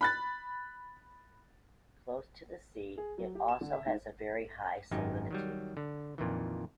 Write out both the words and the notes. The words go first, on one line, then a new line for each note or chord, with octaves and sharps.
Close to the sea, it also has a very high salinity.
B5 F#6 A6
G#4
F#3
G4
E7
D3
E5
G#2
G#1 F#2 D#4 G4 G#5
D#3 F#3 G3
D3
F2 A#2 D#3 E3